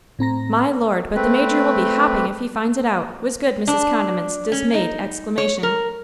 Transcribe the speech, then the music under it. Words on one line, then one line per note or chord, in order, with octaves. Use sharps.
"My Lord, but the major will be hopping if he finds it out!" was good Mrs. Condiment's dismayed exclamation.
A2 C4 A#5 A#6
A3 C4 B4
D4
C#4
D#4
C#5
A#4